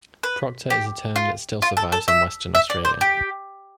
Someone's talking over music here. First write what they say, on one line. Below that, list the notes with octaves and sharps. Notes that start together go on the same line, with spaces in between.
Proctor is a term that still survives in Western Australia.
B4
G4
F4
F4
A4
A4
E5
E5
D5
C5
G4